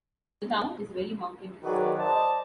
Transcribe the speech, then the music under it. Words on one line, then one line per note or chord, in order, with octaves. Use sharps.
The town is very mountainous.
D#3 F#3 F#4 G#4 B4 D5
C5 D5 D#5 A5